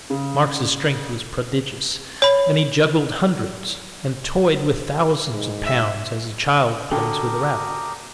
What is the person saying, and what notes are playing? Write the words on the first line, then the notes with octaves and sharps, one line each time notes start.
Marx's strength was prodigious, and he juggled hundreds, and toyed with thousands, of pounds as a child plays with a rattle.
C#3
C#5 B5
G#2
E5
D3 F#4 G4 A#4 G5 D#6